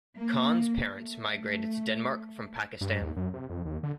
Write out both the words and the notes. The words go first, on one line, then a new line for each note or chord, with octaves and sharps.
Khan's parents migrated to Denmark from Pakistan.
A#3
A3
G2
D#2
F#2
C3
F2
D#2
D3